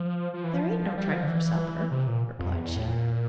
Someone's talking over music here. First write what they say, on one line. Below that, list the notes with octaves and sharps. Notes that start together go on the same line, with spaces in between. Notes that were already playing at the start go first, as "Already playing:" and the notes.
"There ain't no tripe for supper," replied she.
Already playing: F3
F3
E3
F3
G3
F3
D3
E3
C3
A#2
F2
E2
A2
A#2